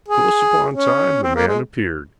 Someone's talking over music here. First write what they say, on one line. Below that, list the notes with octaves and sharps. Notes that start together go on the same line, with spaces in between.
Close upon time the man appeared.
G#4
C#4
C4
A#3
G#3